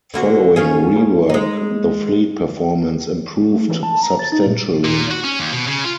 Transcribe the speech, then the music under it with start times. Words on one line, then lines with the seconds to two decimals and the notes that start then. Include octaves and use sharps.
Following rework the fleet performance improved substantially.
0.14 D3 A#3 F#4
0.56 C#4 F4 G#4
1.29 G#3 D#4
3.52 A3
3.68 E3
3.83 A5
4.03 A#5
4.19 A6
4.32 D#4
4.46 A#2
4.85 A#2
5.11 F#4
5.24 C#4
5.39 D#2
5.53 B2
5.67 C#3
5.84 F4